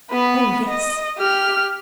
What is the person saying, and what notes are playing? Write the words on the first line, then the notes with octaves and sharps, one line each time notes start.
"Oh, yes."
B3 B4
D#5
G4 F6